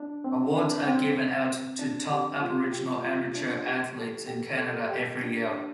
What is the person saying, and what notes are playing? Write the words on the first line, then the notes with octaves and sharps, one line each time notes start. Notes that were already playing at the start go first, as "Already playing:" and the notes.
Awards are given out to top Aboriginal amateur athletes in Canada every year.
Already playing: D4
C4
D4
C4
D4
G4
F4
G4
F4
D4
G4
A4
G4
A4
G4
D4
D4